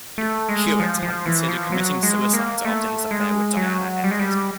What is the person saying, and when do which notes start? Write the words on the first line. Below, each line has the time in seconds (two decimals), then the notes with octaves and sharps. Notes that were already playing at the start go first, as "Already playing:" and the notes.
Hewitt had considered committing suicide after his affair with Diana ended.
0.18 A3
0.49 G#3
0.80 F3
1.03 F3
1.26 E3
1.49 F3
1.72 F#3
2.03 G#3
2.33 A#3
2.65 A3
3.11 G#3
3.57 F#3
4.04 G3
4.11 G#3
4.19 G3